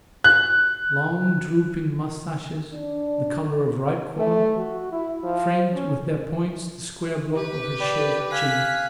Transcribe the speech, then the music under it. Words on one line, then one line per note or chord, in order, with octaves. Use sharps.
Long, drooping moustaches, the colour of ripe corn, framed with their points the square block of his shaved chin.
F#6
D4
A3
F#4
E4
F3
C#4
G4 B4
D5 G5 B5
F5 G#5 F#6 B6